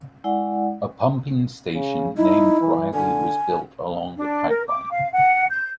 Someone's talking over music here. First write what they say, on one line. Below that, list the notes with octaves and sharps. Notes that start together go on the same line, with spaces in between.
A pumping station named "Riley" was built along the pipeline.
G#3 E4 D5 F#5
C#3
D#4 E4
E3
D3 G#5
D4
A#4
D6
F5
F#5
G6